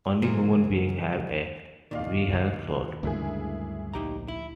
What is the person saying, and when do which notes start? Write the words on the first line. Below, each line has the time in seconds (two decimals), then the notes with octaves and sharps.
Only human beings have a "wayhel" soul.
0.22 C#3 E3 F#3 G#3 A#3 C5
1.91 D#2 A#2 D#3 D5 D#5 F5
2.33 B2
3.03 D2 G2 C#3 G#3 A#3 E4 G#4
3.94 A#1 D#4 G4 A#5
4.28 E4